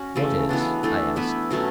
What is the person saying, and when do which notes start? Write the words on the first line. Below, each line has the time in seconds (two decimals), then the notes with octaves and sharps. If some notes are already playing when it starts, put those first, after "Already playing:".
"What is?" I asked.
Already playing: C#4 F#4
0.16 C#3 E3 A3
0.49 E3 B3 D4
0.83 E3 A3 D4
1.16 B3 E4 B4 E5
1.51 B2 F#3 A3 C#4